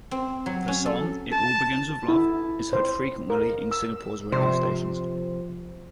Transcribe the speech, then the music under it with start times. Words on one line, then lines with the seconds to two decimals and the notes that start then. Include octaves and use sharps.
The song "It All Begins With Love" is heard frequently in Singapore's radio stations.
0.11 C4
0.46 F#3
0.68 C#4
0.86 A4
1.33 A5
2.08 E4
2.73 C5
3.30 A#4
3.71 E6
4.32 C3 F3 C5